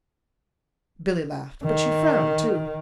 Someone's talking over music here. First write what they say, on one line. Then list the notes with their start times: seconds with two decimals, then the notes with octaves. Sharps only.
Billy laughed, but she frowned, too.
1.64 D#3